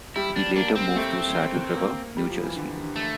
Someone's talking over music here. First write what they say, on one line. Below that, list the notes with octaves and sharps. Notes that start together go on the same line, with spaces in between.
He later moved to Saddle River, New Jersey.
G3 E4
D4
A#3 D4
C4
A3
A#3
G3
F3
E3
D3
D3
A3